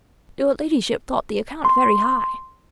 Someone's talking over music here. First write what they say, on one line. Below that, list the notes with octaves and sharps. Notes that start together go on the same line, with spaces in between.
"Your ladyship thought the account very high."
C6